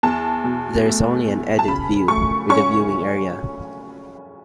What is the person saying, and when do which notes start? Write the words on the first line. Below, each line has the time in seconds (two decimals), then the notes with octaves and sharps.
There is only an "edit view" with a viewing area.
0.03 E2 A5
0.44 B2
0.86 A3
1.27 E2
1.59 A5
1.68 C#3 B5
2.08 A3 C#6
2.49 C#4 C#6